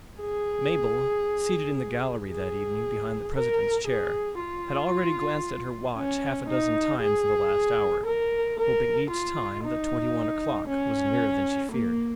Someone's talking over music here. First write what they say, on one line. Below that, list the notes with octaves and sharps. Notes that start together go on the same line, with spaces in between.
Mabel, seated in the gallery that evening behind the President's chair, had already glanced at her watch half-a-dozen times in the last hour, hoping each time that twenty-one o'clock was nearer than she feared.
G#4
G#4
A#4
G#4
F4
C#4
D#4
G#4
A#4
A#4
F4
D#4
C#4
A#3